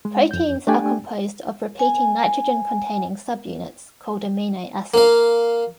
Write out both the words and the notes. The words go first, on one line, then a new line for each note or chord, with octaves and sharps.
Proteins are composed of repeating nitrogen-containing subunits called amino acids.
G#3
F2 G6
A3 D4 G4 D5 G5 G#5
G#5
A#3 F5